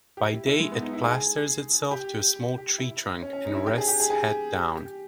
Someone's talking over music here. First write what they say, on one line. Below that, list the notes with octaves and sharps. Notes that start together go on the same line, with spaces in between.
By day it plasters itself to a small tree trunk and rests head down.
G4
E4
E4
G#3
B3
D#4
E4
G#4
G4
G4
E4
C#4
C#4
D#4
E4
G4
G#4
G4
G#4
G#4
G4
G4